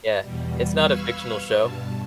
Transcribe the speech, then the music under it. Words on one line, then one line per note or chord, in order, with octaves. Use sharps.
Yeah, it's not a fictional show.
E2 B2 G3
B4 F5 C#6 E6 F6 G#6
G2 B2 A5